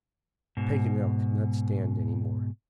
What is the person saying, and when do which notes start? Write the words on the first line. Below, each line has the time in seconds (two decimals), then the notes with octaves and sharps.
Paganel could not stand any more.
0.57 G#2 B2